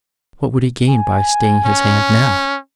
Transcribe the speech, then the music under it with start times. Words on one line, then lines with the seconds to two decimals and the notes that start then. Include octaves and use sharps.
What would he gain by staying his hand now?
0.89 G#5
1.65 C#4